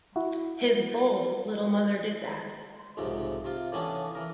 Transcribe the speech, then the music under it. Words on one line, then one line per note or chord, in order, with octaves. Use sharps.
His bold little mother did that.
E4 F#4
B1 F2 G#2 C3
C3 F4
A2 E3 A#3 B3 C#4 D4
E3 A#4